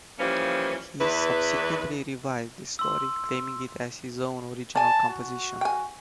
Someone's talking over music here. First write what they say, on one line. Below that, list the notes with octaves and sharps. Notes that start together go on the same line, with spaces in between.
He subsequently revised this story, claiming it as his own original composition.
E3 F3 G3 A#3 C#4
E2 E3 B4
C6 E6
D5 G#5 A5
F#4
G5 G#5